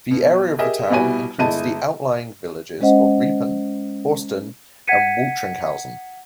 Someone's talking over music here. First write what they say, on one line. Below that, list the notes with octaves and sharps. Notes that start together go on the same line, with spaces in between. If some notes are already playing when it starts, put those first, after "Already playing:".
The area of the town includes the outlying villages of Riepen, Horsten and Waltringhausen.
B2
G4 G#4 A#4 D#5 E5
B2 G3 E4 F#4 G#5 D#7
G1 G#3 E4 D#5 A5 D#7
G#3 C#4 C5 D#5 F#5
F#5 G#6 B6 C#7 D#7